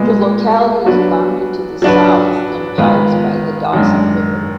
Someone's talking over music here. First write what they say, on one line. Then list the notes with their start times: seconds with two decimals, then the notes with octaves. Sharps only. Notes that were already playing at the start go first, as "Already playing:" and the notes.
The locality is bounded to the south in parts by the Dawson River.
Already playing: A#2 G#3 B3
0.86 F#3 B3 D4 F#4 B4
1.82 F#3 D4 F#4 B4
2.78 D#3 G#3 B3 F4 B4
3.73 F#2 D#3 G#3 D4